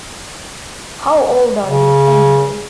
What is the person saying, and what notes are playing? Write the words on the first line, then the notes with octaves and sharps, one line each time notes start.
How old are you anyway?
C#3